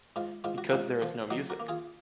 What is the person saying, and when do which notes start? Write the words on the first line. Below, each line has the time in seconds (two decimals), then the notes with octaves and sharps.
Because there is no music.
0.16 G#2 F4
0.44 G#2 F4
0.58 F#4
0.71 G#2 F4
1.02 F3
1.30 F#3 D#4 F#4
1.50 F#4 A#4
1.60 A#3
1.69 F4 G#4